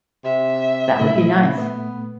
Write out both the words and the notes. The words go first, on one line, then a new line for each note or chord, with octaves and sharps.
That would be nice.
C3 E5
A#2 A3 E4
B3